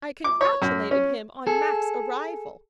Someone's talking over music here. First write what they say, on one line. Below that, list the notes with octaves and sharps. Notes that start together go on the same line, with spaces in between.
I congratulated him on Mack's arrival...
D6
C#5
F#2
C#4
G#4 A4